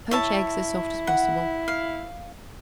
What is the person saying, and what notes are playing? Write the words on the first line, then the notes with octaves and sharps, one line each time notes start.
Poach eggs as soft as possible.
E4 C#5 E5 A5
F#5
F5